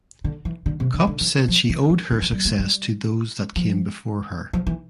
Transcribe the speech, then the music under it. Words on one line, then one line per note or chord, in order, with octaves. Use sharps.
Cupp said she owed her success to those that came before her.
D3
E3
D3
C3
D3
D3
E3
F3
E3
D3
D3
E3
G3
A3
G3
F3
F3
E3